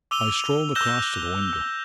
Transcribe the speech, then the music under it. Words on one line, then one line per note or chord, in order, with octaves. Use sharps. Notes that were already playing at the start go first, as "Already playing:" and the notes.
I strolled across to the window.
D6 E6 D#7 F7 G7
E6 F#6 G6 A#6 E7 G7